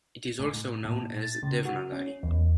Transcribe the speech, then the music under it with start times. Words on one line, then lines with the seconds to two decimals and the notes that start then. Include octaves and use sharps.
It is also known as Devnagari.
0.39 A2
0.85 A#2
1.23 A6
1.43 C#3
1.65 F#4
1.92 C#4
2.23 E2